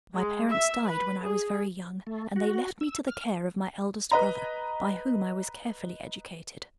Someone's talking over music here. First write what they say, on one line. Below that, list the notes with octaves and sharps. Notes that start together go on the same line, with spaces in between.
My parents died when I was very young, and they left me to the care of my eldest brother, by whom I was carefully educated.
G#3
E5
B4
G#4
A3
F#4
E6
F6
B4 D#5 A#5